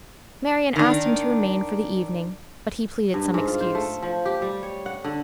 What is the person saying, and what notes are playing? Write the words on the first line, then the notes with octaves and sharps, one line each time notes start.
Marian asked him to remain for the evening, but he pleaded some excuse.
D#3 D4
G2
G#2
F4
C5
A3
F3
G4
G3
C#5
F#5
D3